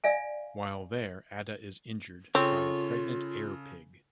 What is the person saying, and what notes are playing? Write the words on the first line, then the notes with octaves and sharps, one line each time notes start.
While there Adda is injured by a pregnant air pig.
D5 E5 F5 G#5
C#3 C4 F4 A4 C#5